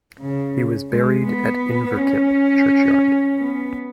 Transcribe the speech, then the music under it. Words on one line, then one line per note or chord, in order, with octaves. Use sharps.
He was buried at Inverkip churchyard.
C#3
G#3
B3
C#4
B3